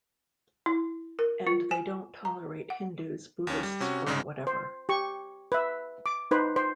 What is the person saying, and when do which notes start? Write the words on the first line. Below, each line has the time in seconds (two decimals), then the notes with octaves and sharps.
And they don't tolerate Hindus, Buddhists or whatever.
0.66 E4
1.19 A#4
1.47 F4
1.71 G#5
2.25 A#5
2.70 F#5
3.47 D#2 C#4
3.63 G3
3.80 C3 C#4 F#4
4.06 C2 G#2 C#3 G#3
4.47 C5
4.89 G4 C#6
5.52 B4 E5
6.06 D6
6.31 D#4 B4 C5
6.56 C5